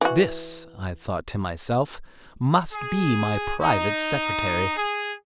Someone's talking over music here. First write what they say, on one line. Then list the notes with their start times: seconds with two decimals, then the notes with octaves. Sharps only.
This, I thought to myself, must be my private secretary.
0.01 E3 F#4
2.72 G#4
3.61 D#4
4.76 G#4